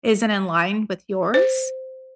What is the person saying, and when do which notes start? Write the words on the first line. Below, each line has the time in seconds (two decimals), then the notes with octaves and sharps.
isn't in line with yours,
1.34 C5